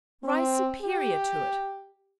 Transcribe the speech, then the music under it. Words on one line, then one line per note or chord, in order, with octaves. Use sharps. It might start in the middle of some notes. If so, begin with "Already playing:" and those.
Rise superior to it.
C4
G4